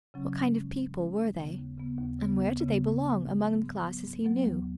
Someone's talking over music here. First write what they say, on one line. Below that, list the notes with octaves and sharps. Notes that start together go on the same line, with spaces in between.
What kind of people were they and where did they belong among the classes he knew?
C#3 F#3 C#4
G#2
G#3 C#4
G#2
G#3 C#4
D#2
C#3 B3
D#2
C#3 B3
D#2
C#3 B3
D#2
C#3 B3
G#2
F#3
B3
G#2
F#3 B3
G#2
F#3 B3
G#2
F#3 B3
D#2